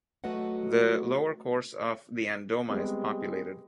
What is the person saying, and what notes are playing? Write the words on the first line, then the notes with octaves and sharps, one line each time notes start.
The lower course of the Andoma is populated.
F#3 A3 F#4 B4 D#5 F#5
G3 G#3 B3 C4